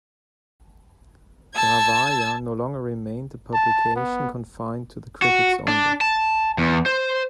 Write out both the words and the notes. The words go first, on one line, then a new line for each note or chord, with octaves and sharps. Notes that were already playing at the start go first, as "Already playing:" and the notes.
The Ravaya no longer remained a publication confined to the critics only.
A5 E6 G#6
A5
B3
F#4
D4
A5
E2
C5